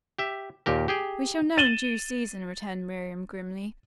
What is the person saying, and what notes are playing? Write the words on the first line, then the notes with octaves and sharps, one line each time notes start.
"We shall know in due season," returned Miriam grimly.
G4 E5
D#2 A#2 G4 A#4
G4 G#4 G5
A6 D#7 E7 F#7 G7